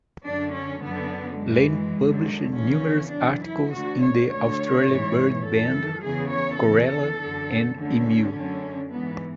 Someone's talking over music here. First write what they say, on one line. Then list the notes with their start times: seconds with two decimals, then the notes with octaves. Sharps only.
Lane published numerous articles in the "Australian Bird Bander", "Corella" and "Emu".
0.24 F#2 D3 D4
0.53 C#4
0.82 F#2 D3 B3
1.39 F#2 E3 G#3
1.98 F#2 D3
2.55 E2 C#3 E3 C#4
3.12 F#2 E3 D4
3.42 E4
3.70 D2 D3 F#4
4.00 C#5
4.28 D2 D3 C#5
4.86 G#2 E3
5.44 F#2 E3 A4
6.01 E2 C#3 E3 G#4
6.30 C#5
6.59 E2 C#3 E3 A4
7.17 F#2 D3
7.75 D2 D3 C#4
8.33 F#2 D3
8.90 G#2 E3 B3